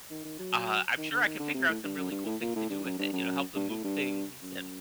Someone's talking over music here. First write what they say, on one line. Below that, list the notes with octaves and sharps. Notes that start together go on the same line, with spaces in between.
uh, I'm sure I can figure out some really cool things to do with it, you know, help them move things and
D#3
D#3
F#3
D#3
D3
D#3
D3
C3
A2
G2
F#2
G2
A2
A#2
A2
G2
F#2
G2
F#2
G2
A2
G2
F#2